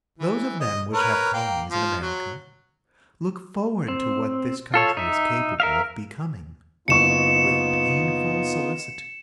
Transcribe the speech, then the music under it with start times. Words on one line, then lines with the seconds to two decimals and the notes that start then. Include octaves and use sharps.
Those of them which have colonies in America look forward to what this country is capable of becoming, with painful solicitude.
0.19 E3
0.60 D#5
0.93 A#4 B4 C#5
1.33 A#3 G5
1.71 F3
2.02 F#3
3.88 C4
4.74 F4 A4 C#5
4.97 D#4 E5
5.60 A#4 E5 F5
6.88 F#1 B3 D#4 F4 C#6 C#7 E7